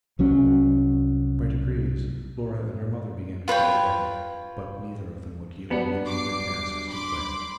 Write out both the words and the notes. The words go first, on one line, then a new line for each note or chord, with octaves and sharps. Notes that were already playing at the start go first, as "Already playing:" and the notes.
By degrees Laura and her mother began to show wear, but neither of them would yield a minute of their tasks to Clay.
C2 F#3 C#4
F4 B4 C#5 G5
F#3 G3 B3 D4
D6 C7
B5 C6 D6